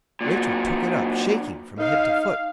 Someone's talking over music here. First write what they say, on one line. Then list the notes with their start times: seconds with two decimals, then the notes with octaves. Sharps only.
Rachael took it up, shaking from head to foot.
0.21 A#2 F#3
1.79 D#4 F5